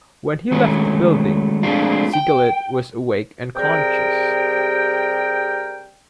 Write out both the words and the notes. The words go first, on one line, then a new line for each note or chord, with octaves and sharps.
When he left the building, Sigalet was awake and conscious.
D#3 F#3 G#3 A3 C#4
F3 G#3 A3 C4 D4 F4
G5
C3 G3 G#4 A#4 G5